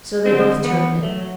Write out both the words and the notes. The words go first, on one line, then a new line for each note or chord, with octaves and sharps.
So they both turned in.
D3 C4
E3 B3
F#3 A3